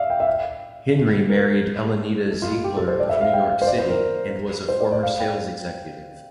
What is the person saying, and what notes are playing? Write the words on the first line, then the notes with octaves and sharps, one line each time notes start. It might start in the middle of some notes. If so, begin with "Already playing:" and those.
Henry married Elenita Ziegler of New York City and was a former sales executive.
Already playing: D5 E5 F5
G5
E5
F5
A#4
A4
F4
F4
G4
A4
C5
D5
E5
F5
G5
F5
C5
D5
C5
A#4
C5
D5
D5
F5
G5